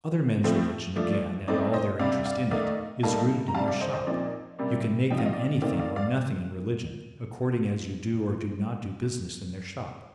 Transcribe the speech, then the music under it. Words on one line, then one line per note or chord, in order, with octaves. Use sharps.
Other men's religion, again, and all their interest in it, is rooted in their shop; you can make them anything or nothing in religion, according as you do or do not do business in their shop.
A2 F3 A3 C4
F3 A3 D4 D5
A2 A3 C4 D#4 D5
C5 D#5
C3 G3 D4 D5 F5
D5 F5
D#3 A3 D#4 D5 F5
A2 G3 A#3 D#4 F5 A5
A#5
C3 G3 D4 F5 A5
D5 F5
C5 D#5
C5 D#5
A#2 F3 C4 D#4 D5
C3 G3 A#3 D5
F3 C4 D#4 G5
F5
D#5
D5 F5
D#3 A3 C4 D#4 D5 F5
D5 F5
D5 F5